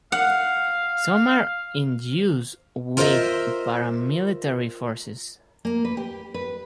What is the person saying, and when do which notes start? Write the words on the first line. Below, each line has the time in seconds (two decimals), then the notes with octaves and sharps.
Some are in use with paramilitary forces.
0.12 F5 F#5
2.97 F4 A#4 C5 C#5 D#5 E5
5.65 A#3
5.85 B4
5.97 G4
6.34 B4